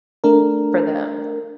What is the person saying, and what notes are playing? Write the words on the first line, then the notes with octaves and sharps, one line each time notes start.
for them.
A3 D4 A#4